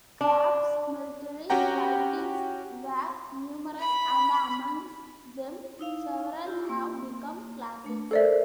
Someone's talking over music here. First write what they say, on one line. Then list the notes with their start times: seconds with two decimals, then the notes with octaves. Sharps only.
Kraft's military writings were numerous, and amongst them several have become classics.
0.21 D4
1.50 C#4 F#4 G4 F#5 G5 A#5
3.78 B5
5.79 D#4 E4 F5
6.47 E4 F4 G4
6.69 A#3
7.84 A3 D4
8.11 A4 A#4 C5 D5 E5